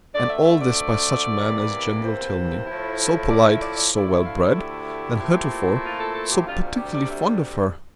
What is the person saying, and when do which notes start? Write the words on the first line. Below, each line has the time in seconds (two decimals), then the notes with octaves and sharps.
And all this by such a man as General Tilney, so polite, so well bred, and heretofore so particularly fond of her!
0.14 D2 D3 A3 D5
0.30 E5
0.45 E5
0.61 D5
1.40 E2 C3 E3 A#3
2.03 C5
2.67 A2 F3 A3 E4
3.30 D5
3.46 E5
3.62 D5
3.77 D5
3.93 D2 D3 A3 E4 D5
4.09 E5
4.25 F5
4.56 G4
5.20 A#2 A3 C4 E4
5.83 F4
5.99 A4
6.14 A4
6.31 G4
6.46 D2 C3 G3 D4 F4
6.62 F4
6.78 G4
6.94 D5
7.10 E5